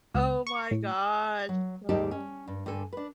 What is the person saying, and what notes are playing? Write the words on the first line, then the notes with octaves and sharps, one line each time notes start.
Oh, my gosh, no.
C#2
C#6
A2
F#3
D#2 G#2 G3 D#4 G4 A5
C#4
G2
G2 D3 A4 G#5
D4 B4